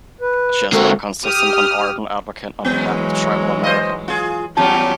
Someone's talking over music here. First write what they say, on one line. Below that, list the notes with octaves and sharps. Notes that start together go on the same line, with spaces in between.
She has been a consistent and ardent advocate on behalf of Tribal America.
B4
D3 G#3 C4 F#4 A4 A#4
G4 D#6 F6
E3 F#3 G#3 B3
C5 D#5
F4 G#4
E2 F#3 G3 C#4 F4 G4 A5